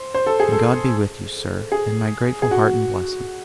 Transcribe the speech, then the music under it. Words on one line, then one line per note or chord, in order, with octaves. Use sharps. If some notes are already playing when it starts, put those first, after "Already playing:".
And God be with you, sir, and my grateful heart and blessing!'
Already playing: C5
C5
A4
G#4
A4
G#4
G#4
F#4